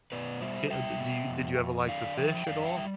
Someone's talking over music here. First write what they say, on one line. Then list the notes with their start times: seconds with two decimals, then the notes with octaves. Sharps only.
it's can d do you did you ever like to fish at all?
0.12 B2 B4 D5
0.41 G3 C5 E5
0.70 G3 E5 G5
1.00 B2
1.30 F2
1.59 F2
1.88 D3 D5 F5
2.18 F3 E5 G5
2.47 F2 D5 F5
2.65 E5 G5
2.76 G3